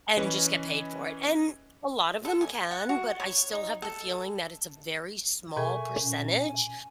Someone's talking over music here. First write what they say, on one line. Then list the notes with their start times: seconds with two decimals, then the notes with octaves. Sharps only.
and just get paid for it. And a lot of them can, but I still have the feeling that it's a very small percentage,
0.17 E3 C#4 B4 D#5
2.25 A4
2.41 G#5
2.71 F#5
2.89 F#4
3.20 C#5
3.53 D#4
3.82 A4
5.56 B2 G#4 A#4 E5 G#5 C#6
6.00 A#2 C#4
6.39 G#5